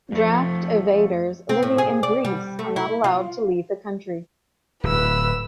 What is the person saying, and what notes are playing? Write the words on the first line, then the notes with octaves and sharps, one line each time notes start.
Draft evaders living in Greece are not allowed to leave the country.
F2 F3 A3
C4
A2
G#4
D5
G3
A3
E4
F4
D1 B4 E6